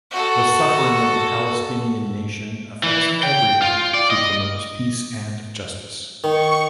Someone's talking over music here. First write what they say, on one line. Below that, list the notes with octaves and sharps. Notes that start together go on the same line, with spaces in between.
The suffering of the Palestinian nation affects everyone, who promotes peace and justice.
F#4 A4
E3
G5
F4
D5
D#5
D#3 C#6